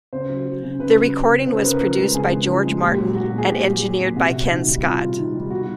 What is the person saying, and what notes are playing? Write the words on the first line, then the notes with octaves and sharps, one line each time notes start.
The recording was produced by George Martin and engineered by Ken Scott.
C#3 C5
F#3
F#3
C#3
C#3 B4
F#3
F#3
C#3
C#3 C5
B4
C#3 A#4
B4
F3
G#3
C#3 G#4
C#3
F3
G#3
A#2 G4
F#3
F#3 F#4
A#2
G#4
A#2 G4
F#3
F#3
A#2
C3 F#4
C3
D#3
G3
C3 F4
C3
D#3
G3
B2 F#4